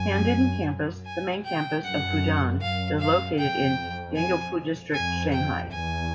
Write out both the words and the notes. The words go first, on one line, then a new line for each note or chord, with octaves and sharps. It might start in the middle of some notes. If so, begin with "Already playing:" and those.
Handan campus, the main campus of Fudan, is located in Yangpu District, Shanghai.
Already playing: F#2 G#5
G#5
G5
F#2 F#5
F#2 F5
F5
F2 G5
G#5
F2 G#5
G5
E2 G#5